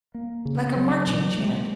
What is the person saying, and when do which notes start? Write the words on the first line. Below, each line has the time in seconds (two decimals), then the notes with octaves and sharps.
like a marching chant?
0.14 A#3
0.45 C#3
0.76 F#3
1.07 A#2
1.38 G#3